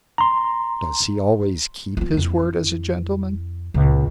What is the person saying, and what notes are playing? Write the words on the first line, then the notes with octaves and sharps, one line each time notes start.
"Does he always keep his word as a gentleman?"
A#5 C6
B3 F4
F2 E4
C#2 A#2